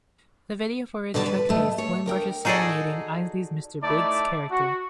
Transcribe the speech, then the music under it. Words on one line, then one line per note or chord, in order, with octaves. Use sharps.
The video for it showcased Winbush serenading Isley's Mr. Biggs character.
B2 D3 G3 D5 D#5 A5
B4
B2 A3
C#5
D2 A#4 G5
D#4 F#4 G#4 A4 D5 D#5
A3 D#4 E4 D5 A5 D6
F#4